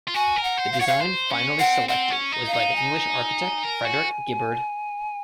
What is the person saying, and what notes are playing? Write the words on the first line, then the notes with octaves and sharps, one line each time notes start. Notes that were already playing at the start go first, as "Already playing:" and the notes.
The design finally selected was by the English architect Frederick Gibberd.
F4
F#4 G#5
A#4
F#5
C5
F5
C#5 F#5
F5
C5
C#4
C4 F#5
C4 F#5
C#4
D#4
F5
D#4
G#5
A#4
F#4